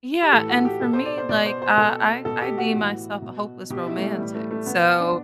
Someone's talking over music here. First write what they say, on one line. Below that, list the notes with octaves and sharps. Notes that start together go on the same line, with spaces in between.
Yeah, and for me, like, uh, I I deem myself a hopeless romantic, so,
G4
A2 E3 A4
F#4
G4
B2 A4
C5
D5
C5
B2 D5
C5
C5
B2 A4
B2 A4
G4
F#4
A2 E3
B2
B2 G4
E4
A3
G3
A2 E3 G3
A3
A3
B2 B3
D4